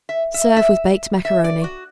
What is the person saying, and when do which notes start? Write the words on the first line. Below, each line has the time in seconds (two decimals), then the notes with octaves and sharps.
Serve with baked macaroni.
0.09 E5
0.34 E5
0.56 E5
1.25 E5
1.44 D5
1.64 F#4